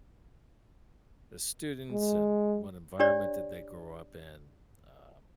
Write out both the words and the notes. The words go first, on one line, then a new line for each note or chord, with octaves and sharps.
the students, and what environment did they grow up in. Um,
G#3
D4 G4 C#5 D5